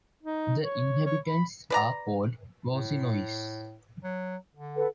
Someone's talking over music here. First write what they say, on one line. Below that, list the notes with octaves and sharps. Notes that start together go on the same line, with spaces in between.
The inhabitants are called "Vouzinois".
D#4
C#5
C#5
B5
B4 D5 A#5
A2
F#3
D3
A4 B4 F#5